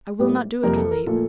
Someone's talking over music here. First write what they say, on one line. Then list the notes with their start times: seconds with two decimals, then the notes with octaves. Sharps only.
"I will not do it, Philip."
0.19 A2 G3 A#3 G4
0.63 F2 C3 G3 A#3 A#4
0.77 A4
0.91 A#4
1.07 A#2 F3 A3 A4